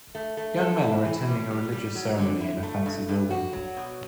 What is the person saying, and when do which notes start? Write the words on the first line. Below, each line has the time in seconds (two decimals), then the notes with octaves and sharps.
Young men are attending a religious ceremony in a fancy building.
0.15 A3
0.37 A3
0.60 A4
0.82 E4
1.05 E3
1.27 G3
1.51 G3
1.72 G3
1.95 F#3
2.18 D3
2.41 E4
2.63 A3
2.86 G2
3.09 G2
3.31 F#4
3.53 F#3
3.77 B2